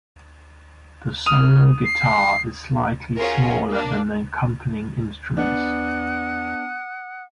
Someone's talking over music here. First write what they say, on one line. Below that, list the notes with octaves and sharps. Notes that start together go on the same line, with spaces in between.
The solo guitar is slightly smaller than the accompanying instruments.
D#6 F6 D#7 F7
C7
C#4 F4 F#4 G#4 A#4
A#3 D4
B3 D4 F#5 D#6 F#6